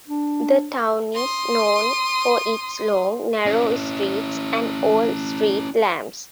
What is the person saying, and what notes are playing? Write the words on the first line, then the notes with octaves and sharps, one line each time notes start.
The town is known for its long, narrow streets and old street lamps.
D4
C6 D#6
C#4 E4